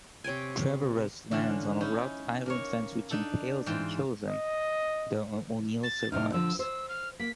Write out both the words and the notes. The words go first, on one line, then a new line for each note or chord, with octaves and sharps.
Traveres lands on a wrought-iron fence which impales and kills him, though O'Neill survives.
C3 C#5 G5 G#5
D3 E3 C#4 D4 F4
C#4 D#4 E4
A#3 A#4 C#5
D4 D#4 A4
G#2 E3 F4 G5
D#5
A6
A2 C3 D#4 F6
D3 F3 E6
C5 E6
F6
A#3 B6